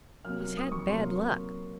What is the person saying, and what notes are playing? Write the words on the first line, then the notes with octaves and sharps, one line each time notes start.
"He's had bad luck."
C3 F#3 A#3 F6
F6
D#6
C#6
C3 F#3 A#3 C6